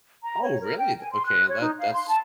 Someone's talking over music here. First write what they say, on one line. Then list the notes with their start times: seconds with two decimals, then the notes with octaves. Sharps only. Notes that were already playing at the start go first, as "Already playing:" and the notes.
Oh, really? The Okay, and that that's
0.25 A#5
0.42 C#5
0.61 A#4
0.78 G5
1.00 G#5
1.12 C6
1.26 F#6
1.48 C#5
1.60 D#4
1.78 F5
1.92 C6
2.08 A5